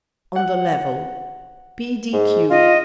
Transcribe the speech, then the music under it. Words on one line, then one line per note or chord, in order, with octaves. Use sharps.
On the level. P.d.q.
F#5
G#2
F4 D#5